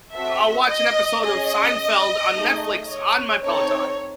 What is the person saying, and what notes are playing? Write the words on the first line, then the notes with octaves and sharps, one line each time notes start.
I'll watch an episode of Seinfeld on Netflix on my Peloton
C4 F#4 A4 E5
D#5
C#4 G#4 D#5
A3 D#4 G#4
C#5
C4 D#4 A4 C#5